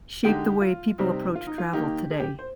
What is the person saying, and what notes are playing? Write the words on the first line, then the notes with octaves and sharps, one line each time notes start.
shape the way people approach travel today?
D3 G#3 D#4 G4
F4
C3 G3 C4 D#4
F4
D#4
F4
D#3 A#3 D#4 G4
G#4
G4
C5